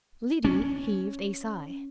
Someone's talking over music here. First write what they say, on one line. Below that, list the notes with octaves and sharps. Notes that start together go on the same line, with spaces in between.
Liddy heaved a sigh.
C#4